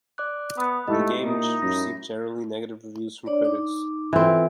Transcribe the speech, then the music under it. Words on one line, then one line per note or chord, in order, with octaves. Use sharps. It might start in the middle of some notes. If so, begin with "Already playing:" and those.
The game received generally negative reviews from critics.
D5 D6 F#6
B3 B5 D#6 F#6
G#2 A3 E4 G4 D#5
A#2 D#4
F#2 A#6
D4 C#5 D5
D#4 D6
E3 C4 F4 A4 B4